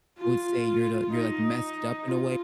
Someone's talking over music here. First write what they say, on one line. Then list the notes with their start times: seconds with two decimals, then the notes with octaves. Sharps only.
I would say you're the you're, like, messed up in a way
0.18 F4
1.12 D#4
2.08 F4